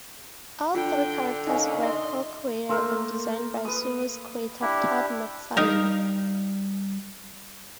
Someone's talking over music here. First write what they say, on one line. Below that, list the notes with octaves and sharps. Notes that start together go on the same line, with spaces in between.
All three characters were co-created and designed by series creator Todd McFarlane.
D3 D4 F4 G5
A#3 C#4 D#4 D#5 G#5
E5 C6
A3 A#3 A#4 C5 E6
B4 D#6
D4 E4 G4
G3 D#4 A#4 F5